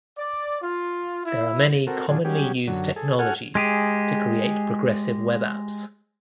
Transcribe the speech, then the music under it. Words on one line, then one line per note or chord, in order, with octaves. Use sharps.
There are many commonly used technologies to create progressive web apps.
D5
F4
E4
C4 F#4 A4 A#4
A#2 D3 F#3 D4 F4 G#4
F#3 G3 C#4 G4 G#4
F#2 D3 F#3
G#4 A4
F#4 A4 F#5 G#5 F6
G#3 G4 G#4